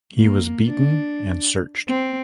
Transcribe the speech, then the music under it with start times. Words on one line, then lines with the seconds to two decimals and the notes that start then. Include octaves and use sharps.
He was beaten and searched.
0.18 A#3
0.68 D4
1.88 C4